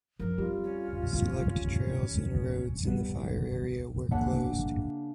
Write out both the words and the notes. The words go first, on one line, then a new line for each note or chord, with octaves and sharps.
Select trails and roads in the fire area were closed.
F#2 F3 A#4
G3 C4 F4
C#4
G3 B3
C#3 A#3 D4 E5 F#5